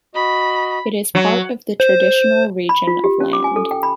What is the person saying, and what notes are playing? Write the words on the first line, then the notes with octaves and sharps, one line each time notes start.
It is part of the traditional region of Land.
F#4 D#5 B5
F#3
C5
B5
F4
G4
C#4
D6
G#5
A4
G5
B5